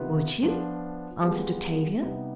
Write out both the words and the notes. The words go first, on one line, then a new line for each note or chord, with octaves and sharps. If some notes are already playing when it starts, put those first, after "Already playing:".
"Would you?" answered Octavia.
Already playing: C3 D#3 B3 F4 B4
F3 B3 D4 F4
G3 B3 F4 G#4
C3 G3 B3 D#4